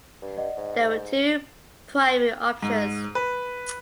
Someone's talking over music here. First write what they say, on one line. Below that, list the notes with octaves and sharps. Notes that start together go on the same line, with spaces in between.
There were two primary options.
G2
D5 D#5 F#5
G#2
G#2
B4